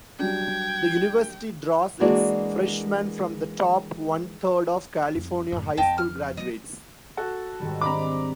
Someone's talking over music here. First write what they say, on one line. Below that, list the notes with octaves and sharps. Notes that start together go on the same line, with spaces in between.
The university draws its freshmen from the top one-third of California high school graduates.
F#3 G3 D4 G5 G#6
E3 G#3 A#3 D4 F#4 D5
F2 G3
F#2 A2
F2 F3 D#5 G5 A5
F6
F#3 E4 D#5
F#4 A4
G#2 D#3 G3
C4 D4 A#5 B5 D6